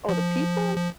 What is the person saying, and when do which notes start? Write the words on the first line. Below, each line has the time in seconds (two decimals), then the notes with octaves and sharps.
Oh, the people?
0.09 F3
0.77 F3